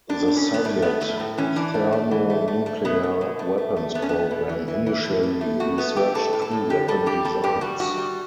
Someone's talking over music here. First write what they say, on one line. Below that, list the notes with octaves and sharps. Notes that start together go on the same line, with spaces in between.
The Soviet thermonuclear weapons program initially researched two weapon designs.
A2 D4
A2
C#4
A2
B3
A2 A3
A3 B3
A2 A3
A2
E3 C#4
E3 D4
A3
A3
E3
A3
A3
A3
B2 B3
B2
B2
A3
A3
A3
A3 B3
C#4
A3 B3
B2
E3
E3
E3
A2
A2
A3
A2 F#4
A3 B3
A3 G4
A2 A4
A2
A4
A2
D3 G4
G3 A4
G2 G4
G3 A4
G2 G4
G3 F#4
G2 F#4
G3